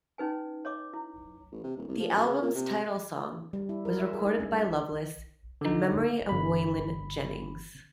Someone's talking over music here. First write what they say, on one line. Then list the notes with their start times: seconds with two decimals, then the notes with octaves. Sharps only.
The album's title song was recorded by Loveless in memory of Waylon Jennings.
0.18 C#4 D#4 B4 G#5
0.65 C#5 D#5 D6
0.94 E4
1.52 A1
1.63 C3
1.76 D#1
1.88 C2
2.00 F3
2.16 F#2
2.28 C#3
2.42 A#2
2.54 C3
3.53 G3
3.69 E4
3.85 A#4
3.99 E5
4.13 G#4
4.26 D#4
4.40 C#4
4.52 G3
5.61 D3 D#4
6.29 G1 B5